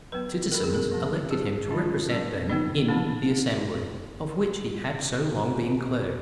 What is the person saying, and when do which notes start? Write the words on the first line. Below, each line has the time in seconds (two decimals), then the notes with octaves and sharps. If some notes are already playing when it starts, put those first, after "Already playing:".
The citizens elected him to represent them in the assembly, of which he had so long been clerk.
0.12 F#3 B3 B4
0.52 D#3 F#3 B3 A#4
0.63 G#4
0.75 A#4
0.91 F3 A#3 C#4
1.30 F#3 C#4 G#4
1.71 D#3 G#3 C#4 F4
2.10 F#3 C#4
2.49 D#3 F#3 B3 D#4
2.88 D#3 A#3 C#4